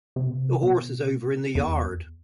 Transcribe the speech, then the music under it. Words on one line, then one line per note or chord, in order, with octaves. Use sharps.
The horse is over in the yard.
C3
B2
C3
B2
E2